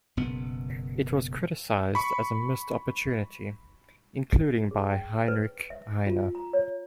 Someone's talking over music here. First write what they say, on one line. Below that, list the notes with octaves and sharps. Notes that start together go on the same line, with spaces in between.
It was criticized as a missed opportunity, including by Heinrich Heine.
F#1 B2 B3
B5 C#6
G#4
G5
B4
E5
F4
A#5
C#5